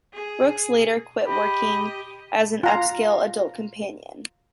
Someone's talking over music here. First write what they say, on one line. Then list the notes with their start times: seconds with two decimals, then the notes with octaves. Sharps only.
Brooks later quit working as an upscale adult companion.
0.14 G#4
1.26 G4 D#5 B5
2.63 F4 A#5